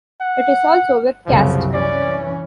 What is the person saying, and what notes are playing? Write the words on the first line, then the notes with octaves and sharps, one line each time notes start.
It is also webcast.
F#5
C2 F#2 C#3 F3
E3 C#4 D5